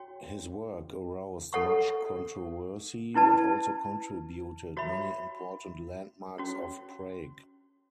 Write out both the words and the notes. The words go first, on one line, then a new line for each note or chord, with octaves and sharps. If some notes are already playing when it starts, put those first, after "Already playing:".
His work aroused much controversy, but also contributed many important landmarks of Prague.
Already playing: F#4 C#5 G5
A4 C#5 F#5 C#6
C#4 E4 B4 D5 A5
F#4 C#5 E5 B5
C#4 F#4 C#5